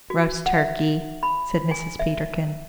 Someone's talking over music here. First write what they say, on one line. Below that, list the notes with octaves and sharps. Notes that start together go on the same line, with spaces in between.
"Roast turkey," said Mrs. Peterkin.
F#4
F#5
E5
B5
G#5
E5